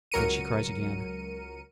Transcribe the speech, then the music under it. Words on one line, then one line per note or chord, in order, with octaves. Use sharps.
Then she cries again.
C#2 F#3 A#4 C#7 D#7